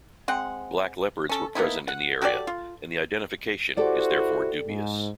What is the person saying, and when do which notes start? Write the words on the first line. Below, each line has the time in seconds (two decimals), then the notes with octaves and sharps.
Black leopards were present in the area and the identification is therefore dubious.
0.28 G#3 C4 F#5
1.29 C#4 A4
1.55 A#3 B3 D#4 E4
1.88 F#5
2.22 F#4 G4 A4 D5
2.47 F4
3.77 E4 F#4 G4 A4 C5 D5
4.67 G#2